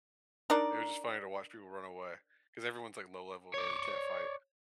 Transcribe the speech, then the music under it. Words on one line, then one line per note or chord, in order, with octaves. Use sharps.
it was just funny to watch people run away 'cause everyone's, like, low level, really, you can't fight,
D4 D#4 A#4 D5
C#5 D5